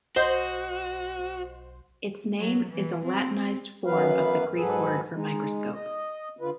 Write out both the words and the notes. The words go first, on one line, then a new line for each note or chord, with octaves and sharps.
Its name is a Latinised form of the Greek word for microscope.
B1 F#4 C5 D#5
F#3
E3
C4
F#2 E3 F#3 B3 B4 F5
G#2 F#3 G#4 A4 B4
G#3 D#4
D#5
D3 F4 B4